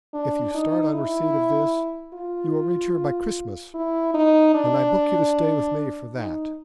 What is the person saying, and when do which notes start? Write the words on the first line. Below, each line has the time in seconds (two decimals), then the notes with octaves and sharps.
If you start on receipt of this you will reach here by Christmas, and I book you to stay with me for that.
0.14 D4
0.55 D#4
0.94 E4
2.14 F4
3.74 E4
4.14 D#4
4.54 D4
6.16 D#4